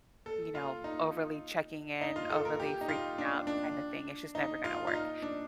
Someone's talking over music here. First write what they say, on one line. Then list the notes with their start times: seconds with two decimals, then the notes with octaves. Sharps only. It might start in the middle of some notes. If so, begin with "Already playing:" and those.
you know, overly checking in, overly freaking out kind of thing, it's just never gonna work.
0.26 A4
0.55 F4
0.84 D#4
2.01 D#4
2.16 F4
2.30 A4
2.45 A#4
2.60 G4
2.81 D#4
2.89 F4
3.18 D4
3.47 D4
4.35 D#4
4.64 F4
4.87 F4
4.93 D#4
5.22 D4